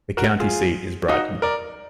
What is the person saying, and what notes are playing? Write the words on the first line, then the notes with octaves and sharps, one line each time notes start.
The county seat is Brighton.
F#4 A#4
F4 G#4
D#4 F#4
A#4 D5